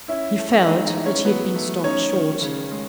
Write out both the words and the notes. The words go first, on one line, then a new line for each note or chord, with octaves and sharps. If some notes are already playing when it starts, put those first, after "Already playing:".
He felt that he had been stopped short.
C#4 E4 E5
A3
G#3 D#4 D#5
D#4 D#5
E3
C#4 C#5
F#3 B3 B4
A3
C#4 D#4 C#5
D#3
C#3
G#3